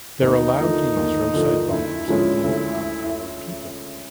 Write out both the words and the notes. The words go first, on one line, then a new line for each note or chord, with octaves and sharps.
They’re allowed to use roadside bombs and blow up our people.
D#2 D#4
D3 F3 A3
D#2
D3 F3 A3
D2 E4
D3 F3 G#3 C#4
D2